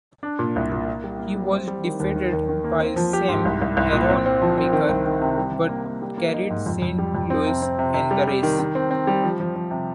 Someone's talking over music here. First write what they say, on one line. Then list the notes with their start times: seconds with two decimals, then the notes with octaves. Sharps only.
He was defeated by Sam Aaron Baker, but carried Saint Louis in the race.
0.23 D4
0.39 A#2
0.56 C2
0.72 A#2
0.88 A#3
1.04 G3
1.19 A#3
1.36 G3
1.52 C4
1.68 G3
1.84 D#3
2.00 D#2
2.16 D#3
2.33 D#2
2.49 D#3
2.64 A#3
2.80 C4
2.96 F3
3.13 G4
3.29 G#2
3.45 C2
3.61 C2
3.77 C2
3.93 A#2
4.10 C4
4.26 C4
4.42 F3
4.58 C4
4.73 D#3
4.89 C2
5.06 D#3
5.21 C3
5.38 G3
5.53 C3
5.69 A#3
5.86 A#3
6.02 G3
6.18 A#3
6.34 D#4
6.50 G#2
6.66 F2
6.82 F2
6.99 G3
7.14 F2
7.30 C4
7.46 C3
7.62 C4
7.79 C3
7.94 C3
8.11 G3
8.27 G3
8.43 D#3
8.60 D#3
8.75 C4
8.91 C4
9.07 G3
9.24 F3
9.40 F3
9.56 F3
9.71 C3